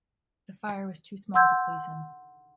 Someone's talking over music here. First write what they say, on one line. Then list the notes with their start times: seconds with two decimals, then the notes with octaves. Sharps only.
The fire was too small to please him.
1.34 F#5 C6 E6 G6 G#6